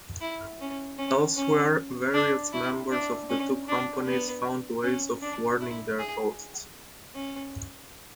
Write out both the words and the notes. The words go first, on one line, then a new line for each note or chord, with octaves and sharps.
Elsewhere, various members of the two companies found ways of warning their hosts.
E4
C#4
C#4
C#4
D4
E4
D4
C#4
D4
B3
C#4
D4
E4
G#4
C#4